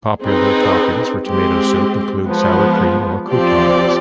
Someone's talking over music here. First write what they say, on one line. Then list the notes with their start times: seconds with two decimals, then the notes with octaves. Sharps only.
Popular toppings for tomato soup include sour cream or croutons.
0.22 C4 D#4 G#4 B4
1.24 G#3 C4 G4
2.25 F3 G#3 B3
3.28 F3 C4 G4 D5